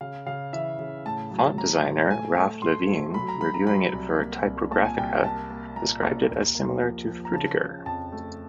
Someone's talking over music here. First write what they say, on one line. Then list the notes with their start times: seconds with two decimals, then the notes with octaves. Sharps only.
Font designer Raph Levien, reviewing it for "Typographica", described it as similar to Frutiger.
0.01 C#3 F5
0.26 C#3 F5
0.53 E3 E5
0.79 C#3
1.06 A2 A5
1.31 F#3
1.58 A2 A#5
1.84 A2
2.09 A3 G#5
2.37 A3
2.62 A3 C6
2.89 A3
3.14 F#3 B5
3.28 A#5
3.41 F#3 B5
3.54 A#5
3.67 F#3 B5
3.93 C2
4.19 A#3
4.45 C2
4.71 A#2 A5
4.85 G#5
4.98 C2 G5
5.11 G#5
5.24 A#3 A5
5.50 A#3
5.76 A#2 A#5
6.03 A#2
6.29 D#2
6.55 A#3
6.82 F3
7.08 F3
7.25 A#5
7.33 C#3 A5
7.60 C#3
7.86 F2 A5
8.12 A3